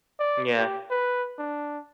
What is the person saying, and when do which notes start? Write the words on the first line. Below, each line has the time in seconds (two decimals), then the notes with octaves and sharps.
Mm yeah.
0.20 D5
0.58 G4
0.91 B4
1.39 D4